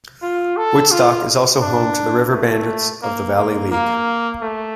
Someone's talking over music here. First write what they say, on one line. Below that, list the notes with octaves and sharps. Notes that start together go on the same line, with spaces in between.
Woodstock is also home to the River Bandits of the Valley League.
F4
A4
F4
D4
A3
A#3
A#3
A#3
A3